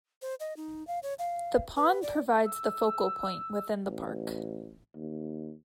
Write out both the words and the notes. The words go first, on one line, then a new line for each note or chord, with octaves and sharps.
The pond provides the focal point within the park.
C5
D#5
D#4
F5
C#5
F5
B4
D5
E6
A1
D#2